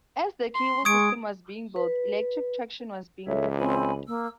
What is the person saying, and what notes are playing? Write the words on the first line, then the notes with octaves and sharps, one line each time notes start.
As the cable system was being built electric traction was being developed.
C6
G#3 C#6 D#6 G#6 D7
B4
C#2 A4 C#5 E5
C4 G#5 B5
A#3 E6